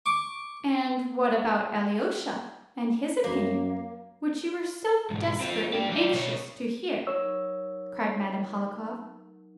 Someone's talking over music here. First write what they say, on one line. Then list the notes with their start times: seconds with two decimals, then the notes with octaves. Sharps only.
"And what about Alyosha and his opinion, which you were so desperately anxious to hear?" cried Madame Hohlakov.
0.06 C#6 D6
3.24 F#2 A#3
5.10 B1 G#2
5.40 C4 F4
5.73 D4 G4
5.89 F#3 D5
6.13 B2 C#5
7.07 F#3 D#4 A#4 C#5 E6